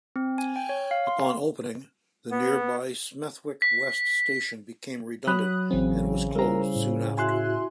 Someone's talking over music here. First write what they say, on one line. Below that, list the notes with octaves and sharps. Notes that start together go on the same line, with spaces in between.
Upon opening, the nearby Smethwick West station became redundant and was closed soon after.
C4
G#5
G5
C#5
F5
C6
B3
B6
F#3 B5 D#6 F#6
A1 C#3 E3 C4
G3 E4 A#4 C5 A#5
A2
E4 F#4 E5 G#5 C6 F#6